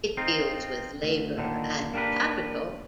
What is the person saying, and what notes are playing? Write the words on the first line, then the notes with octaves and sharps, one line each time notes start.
It deals with labour, and capital.
C4 D#4 F4
D2
A#2 D3 D#3
A#3 D4 G4 A#4 B4